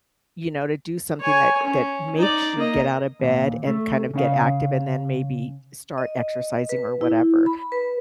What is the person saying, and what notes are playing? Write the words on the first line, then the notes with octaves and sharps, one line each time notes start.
you know, to do something that that makes you get out of bed and kind of get active, and then maybe start exercising or whatever.
C#5 G#5
C#4
D#4 D5
A#3 D#5
D#2 A#2
A3
C#3 C#4 F5
D#5
B4
E4
B5
B4